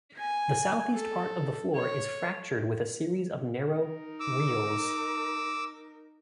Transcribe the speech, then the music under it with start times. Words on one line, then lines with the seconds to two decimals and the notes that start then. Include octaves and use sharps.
The southeast part of the floor is fractured with a series of narrow rilles.
0.18 G#5
0.94 A4
1.75 C#5
3.80 D#4 A#4
4.20 D6 E6